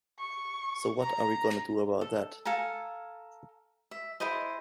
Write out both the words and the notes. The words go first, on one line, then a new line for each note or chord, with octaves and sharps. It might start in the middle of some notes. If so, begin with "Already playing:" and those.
So what are we gonna do about that?
C#6
A#5
A4
A4 F5 G#5 A#5
E5
E4 G#4 C5 D#5